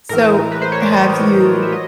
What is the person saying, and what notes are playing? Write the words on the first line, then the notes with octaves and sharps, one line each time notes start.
So, have you
A2 E3 A#4
B4
C5
C#5
D5
D#5
E5
F#3 D#5